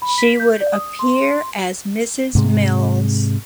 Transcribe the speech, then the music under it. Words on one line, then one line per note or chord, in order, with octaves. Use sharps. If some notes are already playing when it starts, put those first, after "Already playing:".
She would appear as "Mrs Mills".
B5
B6
G6
D5
D#6
C6
G#2 C3 G#3